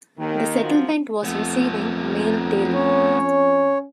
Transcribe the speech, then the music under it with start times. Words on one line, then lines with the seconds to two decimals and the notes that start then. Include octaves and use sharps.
The settlement was receiving mail daily.
0.18 D#2 D#3
0.62 F#2 F3
1.24 F2 A3 B3
2.74 C#4 C#5